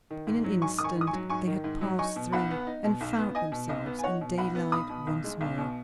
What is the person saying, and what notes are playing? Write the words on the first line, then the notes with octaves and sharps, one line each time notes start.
In an instant they had passed through, and found themselves in daylight once more.
D#3
G#2
F#3
G#2 G#5 C#6
D#3 D#6
G#5 C#6
G#2
D#6
G#5 C#6
F#3
G#2 G#5 C#6
D#3
G#2
F#3
D#4 G#5 C#6
B2
B1 F#5 B5
B3
D#4
B2
B1
B3
D#4 D#5 G#5
B2
B1 D#5
B3
G#5
D#4 C#5 F#5
B2
B1 F#5 B5
B3
B1 B5 D#6
B2
B1
G#3
B1
B2